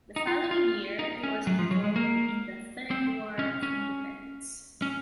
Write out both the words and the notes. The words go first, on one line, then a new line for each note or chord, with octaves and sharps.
The following year, he was involved in the Third War of Independence.
D#4
F4
F4
D#4
C#4
F#3
F3
F#3
G#3
A#3
C4
C#4
C#4
C#4